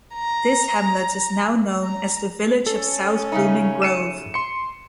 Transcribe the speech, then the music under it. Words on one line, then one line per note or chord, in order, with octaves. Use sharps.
This hamlet is now known as the Village of South Blooming Grove.
A#5
A#5
C#4 A4
C#3 A3 D#4
C#7 D#7 E7
C6 C#7